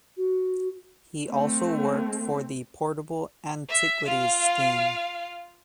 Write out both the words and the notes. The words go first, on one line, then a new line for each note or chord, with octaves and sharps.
He also worked for the Portable Antiquities Scheme.
F#4
A3 C4
E5
F4 F5